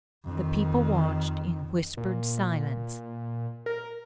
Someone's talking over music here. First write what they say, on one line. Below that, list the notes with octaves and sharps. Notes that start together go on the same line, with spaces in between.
The people watched in whispered silence.
F2 D#3
A#2
A#4